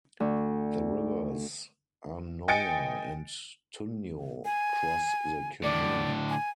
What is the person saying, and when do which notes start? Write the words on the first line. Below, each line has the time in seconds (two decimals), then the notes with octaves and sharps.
The rivers Arnoia and Tuño cross the commune.
0.20 D2
2.48 D#5 G5 G#5 A6 C#7 D7
4.45 G#5
5.63 A2 D3 D5
6.30 G#5